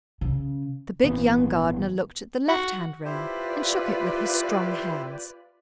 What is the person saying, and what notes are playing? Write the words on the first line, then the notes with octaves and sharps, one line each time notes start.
The big, young gardener looked at the left-hand rail and shook it with his strong hands.
C#3
G#1 A#2 E3 B3
F#4
E4 F4 G4 B4 C5 D5